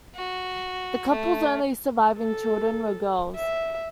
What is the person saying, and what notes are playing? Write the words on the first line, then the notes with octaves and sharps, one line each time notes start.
The couple's only surviving children were girls.
F#4
A3
A4
E5